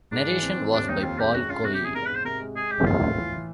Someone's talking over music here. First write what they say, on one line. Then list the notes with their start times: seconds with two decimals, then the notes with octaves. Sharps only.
Narration was by Paul Coia.
0.12 G#2 D4
0.27 E3
0.42 C4
0.57 C4
0.73 D#2 D4
0.88 D#2 D#4
1.03 F2 F4
1.18 G#3 G4
1.33 F#2 F#4
1.49 F#2 F4
1.64 C3 F#4
1.74 G4
1.80 E2
1.85 G#4
1.95 G#2 A#4
2.05 B4
2.10 G#2
2.15 C5
2.25 C3 A#4
2.40 G#3
2.55 G#3 G#4
2.71 G#3 G4
2.86 A2 F4
3.02 A2
3.17 E3
3.32 E3